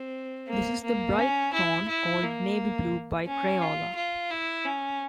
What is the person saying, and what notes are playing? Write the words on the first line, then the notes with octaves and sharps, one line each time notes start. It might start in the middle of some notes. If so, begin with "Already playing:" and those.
This is the bright tone called "navy blue" by Crayola.
Already playing: C4
A#3
A#3
C#4
E4
E4
A#3
C#4
F4
F4
E4
C#4